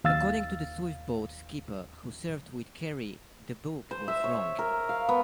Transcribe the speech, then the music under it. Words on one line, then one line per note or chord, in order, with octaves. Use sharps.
According to the Swiftboat skipper who served with Kerry, the book was wrong.
D#2 F5 E6 A6
C5
E5
C#5
A#4
F5
B3